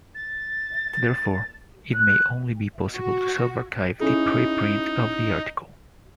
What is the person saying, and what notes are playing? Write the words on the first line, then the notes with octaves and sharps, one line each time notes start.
Therefore it may only be possible to self-archive the pre-print of the article.
A6
F#6
F#4
C#4 D#4 E4 G#4